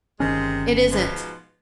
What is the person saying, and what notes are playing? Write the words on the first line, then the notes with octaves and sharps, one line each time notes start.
It isn't....
G1 C3 D#3 G#3 C#4
G#2 B2 F3